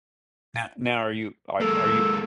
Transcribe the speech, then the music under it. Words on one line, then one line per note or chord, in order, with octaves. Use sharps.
No now are you are are you
G#3 A#3 A4